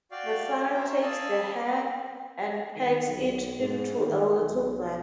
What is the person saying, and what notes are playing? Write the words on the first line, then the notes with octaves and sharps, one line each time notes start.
The father takes the hair and packs it into a little bag.
F#4 D5 F5 G5
A#4 C5 C#5 E5
D5 D#5 F5 G#5 A5 E6
D#3
B1
G#2
D#3
B1